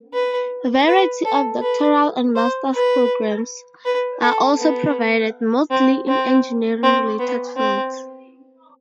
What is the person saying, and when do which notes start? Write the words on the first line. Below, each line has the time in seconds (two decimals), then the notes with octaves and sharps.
A variety of doctoral and master's programs are also provided, mostly in engineering-related fields.
0.13 B4
0.87 B4
1.25 A4
1.62 B4
2.36 C5
2.74 B4
3.85 B4
4.22 A4
4.59 B3
5.71 C4
6.08 C4
6.83 C4
7.19 B3
7.57 C4